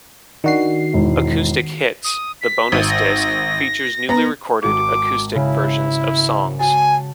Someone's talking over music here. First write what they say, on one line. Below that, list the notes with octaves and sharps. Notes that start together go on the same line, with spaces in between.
"Acoustic Hits", the bonus disc features newly recorded acoustic versions of songs.
D#3 D4 F#4 C7
E1 E2 G#2
D#6
B6
G#1
A#6
B3 A#5 A#6
G#1 F#4 D6 C#7
C#3 E4
F#4 G#5 A5